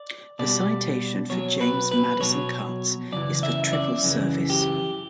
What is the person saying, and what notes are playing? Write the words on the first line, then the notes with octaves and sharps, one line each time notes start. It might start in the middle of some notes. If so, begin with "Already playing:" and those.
The citation for James Madison Cutts is for triple service.
Already playing: D5
B2 G3 D5
B2 F#3 C#5
B4
B4
B2 F#3 C#5
F#2 C#3 E3 D5
E5
E5
D5
F#2 C#3 E3
G4